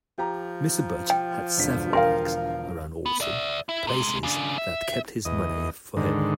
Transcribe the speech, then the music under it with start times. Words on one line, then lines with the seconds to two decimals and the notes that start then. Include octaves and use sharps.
Mr. Butch had several "banks" around Allston, places that kept his money for him.
0.18 F3 G4 A#5
1.10 G5
1.57 E1 D3 B6
1.93 A#4 F5 G5 C6
3.06 B3
3.21 D5 E5
3.69 E4
3.87 C3 G#3
4.23 C#3 D4
4.58 E5
5.25 E2 D#5
5.97 G#2 D3 D#3